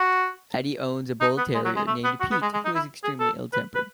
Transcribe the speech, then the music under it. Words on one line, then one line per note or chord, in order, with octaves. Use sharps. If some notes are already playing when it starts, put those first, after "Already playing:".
Eddie owns a bull terrier named Pete, who is extremely ill-tempered.
Already playing: F#4
D#4
B3
G#3
F#3
G#3
A3
B3
F#4
B3
G#3
G#3
D#4
E4
G#4
A4
B4
B4